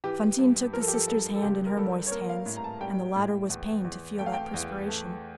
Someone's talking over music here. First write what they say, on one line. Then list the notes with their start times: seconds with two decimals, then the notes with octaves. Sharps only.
Fantine took the sister's hand in her moist hands, and the latter was pained to feel that perspiration.
0.04 E3 G4
0.39 G2
0.73 F3 A#4
0.80 A4
0.88 G4
0.94 A4
1.08 G2 A4
1.35 A4
1.42 C#2 G4
1.66 A#4
1.77 G3 A4
2.07 C#5
2.12 A#3 A#4
2.29 F5
2.46 A2
2.56 A#5
2.64 A5
2.81 G3 G5
3.16 A2
3.50 E2
3.84 E2
4.19 A3 G5
4.26 F5
4.33 G5
4.54 E2
4.88 A3